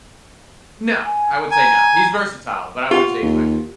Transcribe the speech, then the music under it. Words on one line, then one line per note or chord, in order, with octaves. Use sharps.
No, I would say, "no." He's versatile, but I wouldn't say he's my favorite.
G#5
G#5 A#5
F4 G4 F#5
D#2